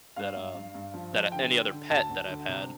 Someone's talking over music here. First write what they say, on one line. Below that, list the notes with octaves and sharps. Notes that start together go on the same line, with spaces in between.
that, um that, uh, any other pet that I've had.
G2 F5
G2
G2
G2
F3
F3
D3 G5
D3
D3
D2 A5
D2
D3
C3